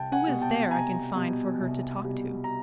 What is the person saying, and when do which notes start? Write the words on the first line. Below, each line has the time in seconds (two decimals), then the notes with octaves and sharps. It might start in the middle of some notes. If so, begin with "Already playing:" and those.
Who is there I can find for her to talk to?'
Already playing: C2 G5 A5
0.12 F#5 G#5
0.27 B2 G3
0.42 G5 A5
0.71 C2 G#5 A#5
1.16 B2 G3
1.60 C2
2.04 B2 G3
2.44 A#5